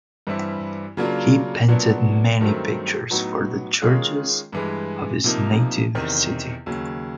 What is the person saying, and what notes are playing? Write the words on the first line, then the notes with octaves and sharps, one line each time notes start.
He painted many pictures for the churches of his native city.
G2 E3 G3 C4 E4
C#3 F#3 A#3 D4 F4
A#2 F#3 B3 D4 F#4
G2 D#3 F#3 A3 C4
A2 F#3 B3 D#4 F#4
D#3 G#3 C#4 F4 G#4
G2 E3 G#3
C3 F3 A#3 D#4
E2 C3 D#3
D#2 C#3 F#3